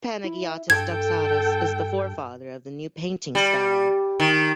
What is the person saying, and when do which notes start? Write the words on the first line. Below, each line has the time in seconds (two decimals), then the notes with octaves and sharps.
Panagiotis Doxaras is the forefather of the new painting style.
0.24 E4
0.70 G2 A4 G5 G#6
3.35 G3
4.20 D#3